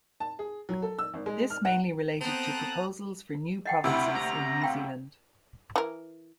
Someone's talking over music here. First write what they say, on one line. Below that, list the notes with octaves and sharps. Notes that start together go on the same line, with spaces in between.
This mainly related to proposals for new provinces in New Zealand.
A5
G#4
F#3
A4
E6
G#1
G#3
F6
F#5
B3 C4 A4 C5 A5 A#5 D#6 F#6
D#5 F#5 G5
D2 C3 E4
A#5
F5 G5 B5
E3 A#4